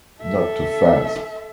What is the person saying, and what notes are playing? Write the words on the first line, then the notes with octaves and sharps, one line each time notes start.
Not too fast.
A4 E5